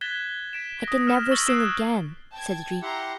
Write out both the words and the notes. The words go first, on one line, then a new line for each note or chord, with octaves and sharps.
"I can never sing again," said the dream.
F#6 G#6 A6 B6 E7 G7
B6 D7 E7
D#6 A#6
F6 E7
C#6 E6 A6 F#7 G7
D#6 F#6 G#6 C7 D7 E7
G5 A5 G#6
E4 G4 F#5 A#5 C6